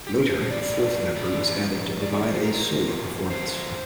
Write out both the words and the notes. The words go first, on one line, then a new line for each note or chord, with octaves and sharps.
Later, a fourth member was added to provide a solo performance.
G4
A4
A#4
A2 E3 C5
C5
D5
D5
G2 F3
A2 E3 D5
A2 F3
A2 E3 D5
D5
D5
C5
F2 C3 A#4
E2 C3 F3
F2 D3 F3 C5